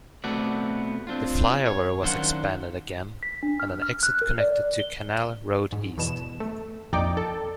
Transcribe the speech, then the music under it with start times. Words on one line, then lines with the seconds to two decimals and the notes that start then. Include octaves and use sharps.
The flyover was expanded again and an exit connected to Canal Road East.
0.24 B2 A3 B3 C4 F#4 D5
1.07 C4 D4 F4
1.66 C#5
2.02 F#2 D#3 D4 C5 F5 F#5
3.23 B6
3.43 D4
3.60 F6
3.82 F6
4.03 F#6
4.21 A#4
4.40 D5
4.80 G7
5.72 G#2
5.98 E2 B2 E7
6.40 A3
6.93 A#1 F2 D#4 D5 G5 D6
7.17 A4